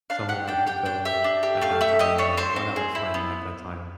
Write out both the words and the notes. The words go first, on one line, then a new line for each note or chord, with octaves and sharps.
somewhere I could go at that time, or when I was playing at that time.
D4 F5
G4 F#5
D4 G5
G4 G5
D4 G5
G4 E5
D4
G4
A3 F5
A3 E5
G4 D#5
D4 C#5
C4 C5
C4
G#4
E4
B3